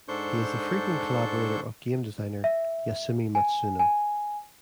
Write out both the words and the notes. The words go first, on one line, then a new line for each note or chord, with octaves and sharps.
He is a frequent collaborator of game designer Yasumi Matsuno.
G#2 D4 A4 C5 C#6 G6
E5
G#5
G#5